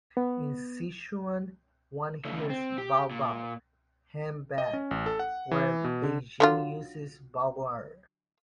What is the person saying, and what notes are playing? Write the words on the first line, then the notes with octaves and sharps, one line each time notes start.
In Sichuan, one hears "baobao" "handbag" where Beijing uses "bao'r".
B3
C#3 A3
C4
G4
A#2
D#5
C#4
A1
A4
F#5
E3
B2
D3
D3 F#3 F4